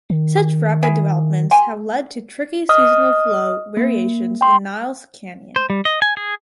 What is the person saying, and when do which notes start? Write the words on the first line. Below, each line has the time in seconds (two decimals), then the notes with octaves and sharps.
Such rapid developments have led to tricky seasonal flow variations in Niles Canyon.
0.10 D#3
0.83 E4 G#4
1.51 G4 G#5 C6
2.69 D#5 D#6 F6
3.77 A#3
4.41 G5 C6
5.56 C5
5.70 G3
5.85 D#5
6.02 G#5
6.17 G#4